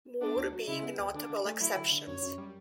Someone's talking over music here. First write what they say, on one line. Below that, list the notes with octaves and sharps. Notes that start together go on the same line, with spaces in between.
Moore being notable exceptions.
B3 D4
D2
F#3
C#3 E4
B3
D2
D3 D4
D3
A3
F#3 E4
D3
D3
F#2 C#5
F#2
G3